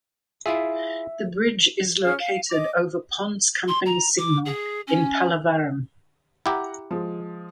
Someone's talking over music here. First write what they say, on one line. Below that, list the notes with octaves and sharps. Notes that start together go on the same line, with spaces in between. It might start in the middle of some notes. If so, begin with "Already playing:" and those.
The Bridge is located over Ponds Company Signal in Pallavaram.
E4 F4 G#4 E5
C#4 G#4 F5 F6
F5
D#5 D6
C6
A#5
D6
G#4
C#4
E4 G4 F#5 A#5
F3 G#3